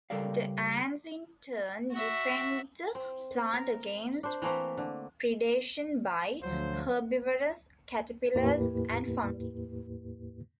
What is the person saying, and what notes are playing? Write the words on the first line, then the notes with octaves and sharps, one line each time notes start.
The ants in turn defend the plant against predation by herbivorous caterpillars and fungi.
C#3 G3 A4 A#4 D5 F5
F#4 E5
C4
A#4
D4 C5
E3 A3 A#3 C4
D3
D2 F3 F#3 C5
E2 A2 A#3 E4 G4 B4